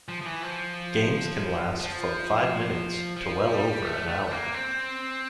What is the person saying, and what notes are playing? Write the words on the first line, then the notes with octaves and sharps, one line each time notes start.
Games can last from five minutes to well over an hour.
F3
F3
E3
F3
F3
F3
G3
A3
A3
A#3
C4